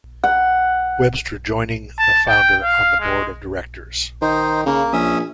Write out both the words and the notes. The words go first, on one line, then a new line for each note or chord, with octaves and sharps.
Webster joining the founder on the board of directors.
F#5
A5
G5
F5
G#3
D#3 D#4 C5
C#3 A#3
A#1 C#4 E5 D#6